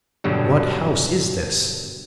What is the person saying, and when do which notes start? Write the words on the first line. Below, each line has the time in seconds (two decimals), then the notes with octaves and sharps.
"What house is this?"
0.24 G2 B2 D3 F#3 G3